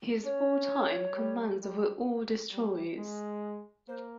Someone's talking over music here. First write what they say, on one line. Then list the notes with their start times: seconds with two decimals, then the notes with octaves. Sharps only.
His wartime commands were all destroyers.
0.24 C#4 C#5
1.15 G3
1.61 G3
2.52 G3
2.97 G#3
3.88 A#3 C5